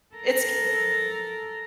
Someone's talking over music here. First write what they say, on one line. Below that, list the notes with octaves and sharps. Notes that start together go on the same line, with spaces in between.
it's g
A4 A#4